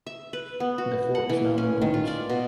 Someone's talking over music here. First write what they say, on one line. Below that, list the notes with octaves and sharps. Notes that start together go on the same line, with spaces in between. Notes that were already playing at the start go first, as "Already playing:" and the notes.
The fort is now in ruins.
E5
B4
B3
F#4
F#5
E3
C#4
D#3
F4
D5
B2